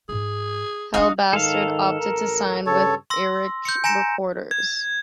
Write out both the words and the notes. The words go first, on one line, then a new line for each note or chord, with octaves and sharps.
Hellbastard opted to sign with Earache Records.
G#2 A3 G#4
A3 D4 D#4 F#4 F5
G#2 D#3 A4 F5
A1 A#4
G2 C#3 A4 C#5
C6 E6 A#6
G6 C#7
G#5 A#5 A#6 C#7 E7
G#6